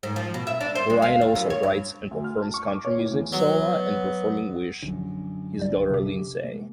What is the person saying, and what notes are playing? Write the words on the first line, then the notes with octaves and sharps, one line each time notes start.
Ryan also writes and performs country music solo and performing with his daughter Lynsay.
G#2
F3
B2
E5
D4
C5
G#3
F5
E2
F#2
C#5
G2
D2
F6
A5
C#6
D6
C#5
A2
E2
F#3 B3
A#1 F#2 D3
C2 D5
C3 G4
G#3 A#3